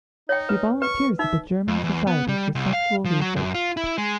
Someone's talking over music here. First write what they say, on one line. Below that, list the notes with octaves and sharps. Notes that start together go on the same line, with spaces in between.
She volunteers at the German Society for Sexual Research.
D#4 C#5 G5
B4
B4 C#6
D#4 E5
F2
E2
B3
G3
C2
F5
F3
F#3
F#2
F4
E4
G#3